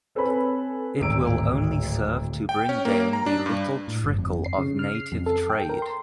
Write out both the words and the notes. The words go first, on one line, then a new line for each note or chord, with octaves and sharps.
It will only serve to bring down the little trickle of native trade.
C4 A4 B4 C#5 G#5 B5
D1 G#1 A#5 E6 D7
G5
C#4
A#3
A#5
D4
G2
A2
G1
F2
C7
C#3
F6
C7
F2
A4
G5
A#4
C6